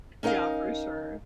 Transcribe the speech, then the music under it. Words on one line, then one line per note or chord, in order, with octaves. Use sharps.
Yeah, for sure.
C#4 D#4 A#4 D#5 F5